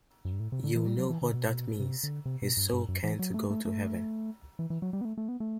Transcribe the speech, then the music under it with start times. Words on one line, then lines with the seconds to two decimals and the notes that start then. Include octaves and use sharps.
You know what that means; his soul can't go to heaven.
0.25 F#2
0.33 G2
0.40 A2
0.52 C3
0.64 D3
0.75 E3
0.86 G3
0.98 F#3
1.10 E3
1.22 D3
1.34 B2
1.79 C3
2.03 D3
2.25 C3
2.42 B2
2.57 G2
2.73 G2
2.88 F#2
3.03 E3
3.19 F#3
3.34 A3
3.50 A3
3.65 A3
4.59 E3
4.70 E3
4.82 F#3
4.93 G3
5.01 B3
5.05 A3
5.18 A3
5.29 B3
5.40 A3